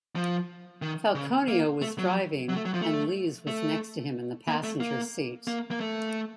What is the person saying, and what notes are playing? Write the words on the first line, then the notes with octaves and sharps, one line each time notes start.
Falconio was driving and Lees was next to him in the passenger seat.
F3
D#3
C#3
A#3
A3
F#3
F#3
A3
F#3
F3
A3
A3
A#3
A3
A#3
A#3
A#3
A3